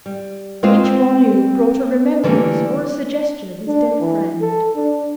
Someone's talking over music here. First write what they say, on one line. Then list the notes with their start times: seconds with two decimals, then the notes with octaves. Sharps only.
Each volume brought a remembrance or a suggestion of his dead friend.
0.06 G3
0.63 G#3 A#3 C4 F4 B4 C5
0.84 C4
2.24 D3 E3 G3 A3 A#3
3.67 D4
4.00 E3
4.41 A4
4.76 D4